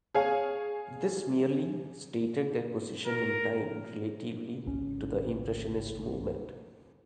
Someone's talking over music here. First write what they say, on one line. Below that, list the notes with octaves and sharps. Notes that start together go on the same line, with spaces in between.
This merely stated their position in time relatively to the Impressionist movement.
G#4 C#5 F5 G#5
A#4
G#1 C#2 C#4